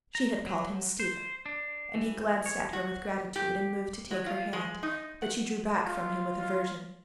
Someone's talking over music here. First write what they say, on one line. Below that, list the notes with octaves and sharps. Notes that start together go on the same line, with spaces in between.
She had called him "Stiva," and he glanced at her with gratitude, and moved to take her hand, but she drew back from him with aversion.
A#5
F#3
C5
D4
E3
C#5
F#4
G4
F#3
F4
G#3
D#4
F#5
F4